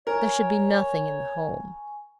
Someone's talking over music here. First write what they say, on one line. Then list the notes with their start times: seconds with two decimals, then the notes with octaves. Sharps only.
There should be nothing in the home.
0.07 A#4 C#5 G#5 C#6